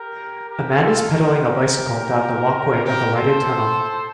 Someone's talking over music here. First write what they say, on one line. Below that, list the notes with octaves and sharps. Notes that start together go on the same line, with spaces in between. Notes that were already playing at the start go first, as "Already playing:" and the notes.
A man is pedaling a bicycle down the walkway of a lighted tunnel.
Already playing: G4 A#4
G4 A#4
F4 A4
G4 A#4
G4 A#4
A4 C5